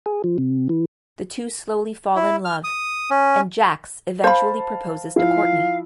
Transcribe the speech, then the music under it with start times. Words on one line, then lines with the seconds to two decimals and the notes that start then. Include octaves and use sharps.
The two slowly fall in love and Jax eventually proposes to Courtney.
0.06 G#4
0.24 F3
0.38 C3
0.69 E3
2.16 E4
2.45 F6
2.64 D#6
3.10 C#4
4.24 C5 F5 A5 B5
5.16 F3 E4 F5